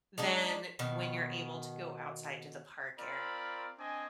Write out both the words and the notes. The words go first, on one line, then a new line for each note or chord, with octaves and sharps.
than when you're able to go outside to the park ar
G#3 D4 D#4
B2 D#3
C4 F4 A#4 D5 B5
C4 D4 D#5 G#5